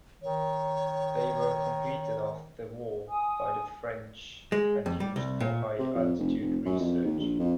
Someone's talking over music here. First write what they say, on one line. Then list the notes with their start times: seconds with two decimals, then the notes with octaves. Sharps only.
They were completed after the war by the French and used for high-altitude research.
0.22 D#3 C#5
3.08 G#5 D#6
4.52 G#3
4.86 F2
5.00 G3
5.16 C2
5.40 A#2
5.78 C3
5.95 F2
6.19 F1
6.40 F1
6.65 F#2
6.80 F2
7.04 D#2
7.20 A#1
7.39 F2